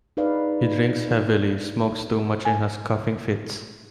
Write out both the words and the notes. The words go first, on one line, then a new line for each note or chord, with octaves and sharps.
He drinks heavily, smokes too much and has coughing fits.
D#4 G#4 B4 D5 F5
G#5